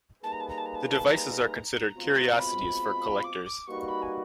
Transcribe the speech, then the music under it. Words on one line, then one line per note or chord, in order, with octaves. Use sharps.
The devices are considered curiosities for collectors.
G3 A#3 D#4 G#4 B4 A5
A#5
A5
A#5
A5
A#5
A5
A#5
A5
A#5
A#5
B2 G#3 C4 F4
A#5
B5
D6
D6
G3 A#3 D#4 F#4 B4 C#6
B5
G#5